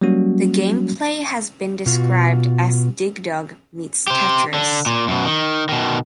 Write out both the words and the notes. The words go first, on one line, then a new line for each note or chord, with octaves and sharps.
The gameplay has been described as Dig Dug meets Tetris.
F#3 G3 A#3 C#4 F#4
B2 F4 F#4
G4 C5
D3
A#2
F#2 B2
D#3
B2 D#3